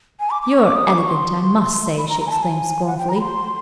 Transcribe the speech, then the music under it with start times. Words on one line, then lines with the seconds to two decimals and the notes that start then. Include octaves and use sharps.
"You're elegant, I must say!" she exclaimed, scornfully.
0.20 G#5
0.31 D6
0.42 D6
0.53 C#6
0.64 D6
0.76 D#6
0.87 D6
0.98 C#6
1.09 C6
1.98 B5
2.09 A#5
2.20 A#5
2.27 G#5
2.31 A5
2.42 G#5
2.87 F#5
2.98 G5
3.09 A#5
3.15 B5
3.20 C6